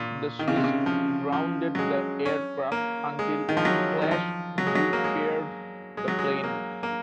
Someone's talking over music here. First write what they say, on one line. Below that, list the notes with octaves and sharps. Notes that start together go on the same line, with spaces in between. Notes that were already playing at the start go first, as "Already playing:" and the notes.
The Swiss grounded the aircraft until Flash repaired the plane.
Already playing: A#2
D#3
C#3
C3
C#3
F3
F3
F#3
G#3
C#4
A#3
G#3
D#3
F3
F#3
D#3
F3
F#3
G#3
F#3
A#3
G#3
G#3
F#3
G#3
A#3
A#3